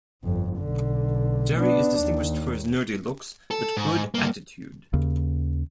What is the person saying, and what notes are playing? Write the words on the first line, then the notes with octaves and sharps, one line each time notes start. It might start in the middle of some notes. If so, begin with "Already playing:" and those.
Jerry is distinguished for his nerdy looks but good attitude.
G1 F2
B1 D3
B3 D4
D#2
A4
G#2
G2 A#3
D#2 C#3